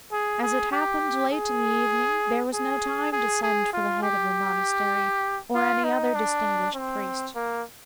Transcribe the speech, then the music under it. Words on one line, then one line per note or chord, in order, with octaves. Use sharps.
As it happened late in the evening there was no time to send for the head of the monastery, or any other distinguished priest.
G#4
G#4
G4
G#4
G#4
G#4
G#4
F4
G4
F4
D#4
D4
C4
A#3